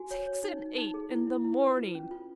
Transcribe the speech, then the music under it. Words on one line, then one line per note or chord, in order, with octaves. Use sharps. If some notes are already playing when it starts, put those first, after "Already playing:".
Six and eight in the morning!
Already playing: F#4 G#5
C#5
C#5
D#4
D#4
D#4
G#4
E4
E4
E4
B4
F4
C#4
F4